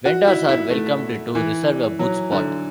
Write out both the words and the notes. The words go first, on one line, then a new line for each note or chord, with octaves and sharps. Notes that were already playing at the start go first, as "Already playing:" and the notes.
Vendors are welcomed to reserve a booth spot.
F#4
E4
E4
A3
E3
F#3
D3